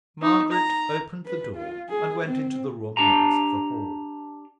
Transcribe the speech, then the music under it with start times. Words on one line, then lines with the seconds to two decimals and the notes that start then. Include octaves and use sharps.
Margaret opened the door, and went into the room next the hall.
0.22 D#4
0.52 A#5
1.26 B4
1.56 F4
1.89 G#4
2.26 C4
2.97 D4 G4 A5 A#5